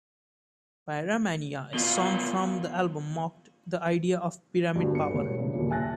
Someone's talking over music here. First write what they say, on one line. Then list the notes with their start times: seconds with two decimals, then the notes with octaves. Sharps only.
"Pyramania", a song from the album, mocked the idea of pyramid power.
1.74 B2 F4
4.75 D2 G2
4.92 B3 C#7
5.14 E1 E2 G3 C#5
5.39 G2 C#3
5.54 D#2 A#2
5.70 E5 G#5 A5 F#6 A6 A#6